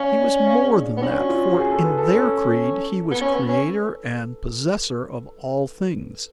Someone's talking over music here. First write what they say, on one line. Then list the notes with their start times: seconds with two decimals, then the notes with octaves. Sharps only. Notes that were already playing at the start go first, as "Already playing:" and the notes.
He was more than that, for in their creed he was creator and possessor of all things.
Already playing: C#4 F5
0.10 D5
0.29 D5
0.46 F5
0.61 G#4
0.75 D4
0.97 B3
1.01 C#4 D4
1.19 F#4
1.29 F4
1.51 F#4
1.57 G#4
1.71 A4
1.84 B4
1.97 A4
2.11 C#4 A4
3.11 B3
3.22 C#4 B4
3.35 B3
3.49 C#4